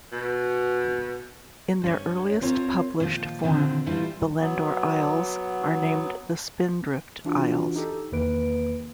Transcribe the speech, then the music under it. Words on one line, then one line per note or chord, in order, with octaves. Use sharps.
In their earliest published form the Lendore Isles are named the Spindrift Isles.
B2
G2 C#4 C#5
C4 F4 A#4 C#5 A#5
A#2 D#3 F3 F4
A#2 D3 D#3 F3 C4
A2 E3 G3 E4 F4
F#3 B3
E3 D4 F4 F#4
D#4 G4 A4
E2 D#3 A#3 B4 D7